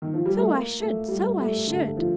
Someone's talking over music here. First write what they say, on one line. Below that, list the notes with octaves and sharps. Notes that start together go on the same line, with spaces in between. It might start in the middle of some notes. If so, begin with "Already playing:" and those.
So I should! so I should!
D#3
F3
G3
A3
A#3
A3
G3
A3
D3
F3